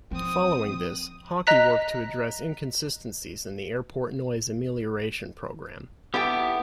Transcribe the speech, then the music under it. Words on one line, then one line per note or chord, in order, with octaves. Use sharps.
Following this, Hockey worked to address inconsistencies in the airport noise amelioration program.
F3 C4 D#6
D#5 A#5 F#6 B6
B3 E4 G4 A4 G5